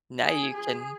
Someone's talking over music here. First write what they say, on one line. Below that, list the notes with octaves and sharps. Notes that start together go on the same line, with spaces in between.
Now you can
G#4
G#4